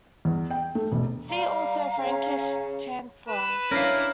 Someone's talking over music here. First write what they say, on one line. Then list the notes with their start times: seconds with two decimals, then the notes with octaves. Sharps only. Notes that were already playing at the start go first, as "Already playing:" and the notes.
See also Frankish Chancellors.
0.25 E2
0.51 G5
0.75 A3
0.91 E1
1.29 G3 F5 A#5
1.98 C#3 C#4
3.29 B4 E7
3.71 C#4 D4 E4 A#4 F5